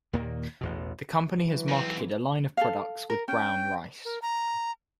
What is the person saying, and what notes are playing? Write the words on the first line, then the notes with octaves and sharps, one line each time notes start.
The company has marketed a line of products with brown rice.
D#2 A#2 D#3 A#3
A1 E2 B2
E3 F#3
G#2 C4
A4 F5
A#4
C#4 G5
A#4
A#5